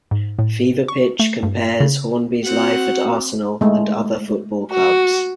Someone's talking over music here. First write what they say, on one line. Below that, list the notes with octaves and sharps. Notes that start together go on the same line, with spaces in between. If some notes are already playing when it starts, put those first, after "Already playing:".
"Fever Pitch" compares Hornby's life at Arsenal and other football clubs.
G#2
A2
C#6
A3
G2
C#3
C4 F#4 F#5
G#3 A3
F#4